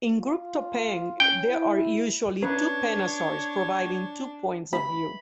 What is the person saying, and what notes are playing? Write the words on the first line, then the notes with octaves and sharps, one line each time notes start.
In group topeng, there are usually two penasars providing two points of view.
F4
C#4 G5
E4
C#4 D4 B4 C#5
B5